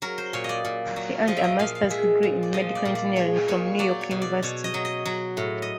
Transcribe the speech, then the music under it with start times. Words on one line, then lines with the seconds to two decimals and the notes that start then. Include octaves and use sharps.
He earned a master's degree in medical engineering from New York University.
0.02 F#3 A#4
0.18 C5
0.33 A#2 C#5
0.44 D5 D#5
0.65 A#2
0.96 F#3
1.27 F3 D#5
1.37 E5
1.44 D#5
1.59 A#2 F5
1.75 F5
1.90 G#3 E5
2.23 A#2
2.43 D5
2.54 F3 D#5
2.75 D5
2.85 A#2
2.95 D5
3.16 G#3 C#5
3.48 A#2 C#5
3.79 F#3 D5
4.01 C#5
4.11 B2
4.22 D5
4.43 B2 C#5
4.64 D#5
4.74 F#3
4.85 D#5
5.05 F#3
5.37 A2
5.62 D#5